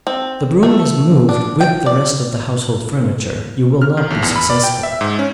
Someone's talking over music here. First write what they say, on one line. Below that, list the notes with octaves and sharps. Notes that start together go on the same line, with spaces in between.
If the broom is moved with the rest of the household furniture, you will not be successful.
C4
A3
D4
G5
D5
F6
D#3
A#1
E2
B5
D5
G5
E5
G#2
C#4